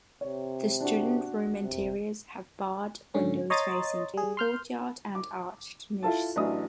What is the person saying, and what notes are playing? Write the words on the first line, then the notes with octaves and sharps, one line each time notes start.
The student room interiors have barred windows facing to the courtyard and arched niches.
C3 C#5
D4 F#4
C3
G#2 D3 C#4
C#5 D#5 A#5 C6 D#6 A6
G3 G#4
C6 F6 G6
D6
E4 F4 A4 A5
A1 E3 F#3 D4 D#5 D#6